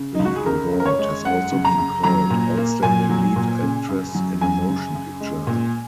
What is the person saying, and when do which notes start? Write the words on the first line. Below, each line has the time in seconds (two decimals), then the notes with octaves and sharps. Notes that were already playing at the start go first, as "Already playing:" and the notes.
The award has also been called Outstanding Lead Actress in a Motion Picture.
Already playing: C#3
0.15 C#2 D#4
0.25 F#4
0.36 G#4
0.46 C#3 A#4
0.73 F#2
0.80 A#4
0.86 C#5
0.99 G#3
1.25 F#2 F#5
1.52 C#3
1.65 A#5
1.78 F#2
2.04 F#3 A#5
2.30 A#2
2.57 A#3
2.83 A#2 G#5
3.09 F#3
3.36 A#2
3.62 C#3
3.89 F#2
4.14 F#3
4.41 F#2 G#5
4.68 C#3
4.95 F#2
5.20 G#3
5.47 A#2